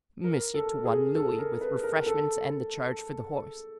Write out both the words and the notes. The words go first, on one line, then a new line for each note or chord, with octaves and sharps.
"Monsieur, to one louis, with refreshments and the charge for the horse."
A#4
A4
G#4
A4
A#4
B4
A#4
A4